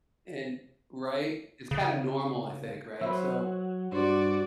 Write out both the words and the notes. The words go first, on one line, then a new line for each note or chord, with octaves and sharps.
and, right? It's, kinda, normal, I think, right? So,
C#3
F#3 B4 C5 E5
G2 F#4 C5 D5